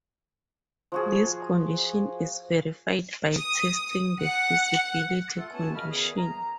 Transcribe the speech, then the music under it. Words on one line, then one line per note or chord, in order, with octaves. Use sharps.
This condition is verified by testing the feasibility condition.
F3 F#4 G#4
D#6
F#5
A3 F4 A4
B3 C#4 F4 C#5 G#5 A5
F#2 C#3 D#5 B5 F6
E2 D#3 B3 G#4
A#5